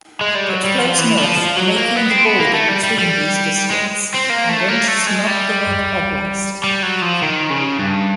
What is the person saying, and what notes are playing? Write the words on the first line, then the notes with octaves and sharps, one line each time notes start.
It flows north, making the border between these districts, and enters Novgorod Oblast.
G#3
G3
F#3
G3
F3
E3
F3
F3
F#3
A#3
B3
C4
B3
A#3
A3
G3
G3
G3
G#3
C4
A#3
A3
A#3
A3
G#3
G3
G3
F#3
F3
D#3
C#3
G2